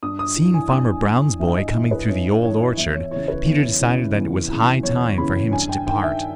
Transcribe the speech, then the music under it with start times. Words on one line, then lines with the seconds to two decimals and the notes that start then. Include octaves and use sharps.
Seeing Farmer Brown's boy coming through the Old Orchard Peter decided that it was high time for him to depart.
0.03 G2 D#6
0.19 D#6
0.36 E3
0.54 G#5
0.71 G2
1.05 E3
1.40 G2 E5
1.57 D#5
1.74 E3
1.91 B4
2.08 G2 C#5
2.43 E3 C#5
2.77 E2 E5
2.94 C#5
3.11 C#3 E3 C#5
3.28 B4
3.45 E2
3.81 C#3 E3
4.15 E2
4.49 C#3 E3
4.83 E2 C#5
5.18 C#3 E3 B5
5.51 G2 G#5
5.69 G5
5.87 D#3 G5
6.03 E5